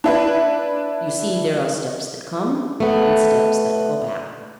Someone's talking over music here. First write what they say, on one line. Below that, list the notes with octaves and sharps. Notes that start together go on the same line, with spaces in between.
"You see, there are steps that come, and steps that go back."
D4 E4 B4
A3 B3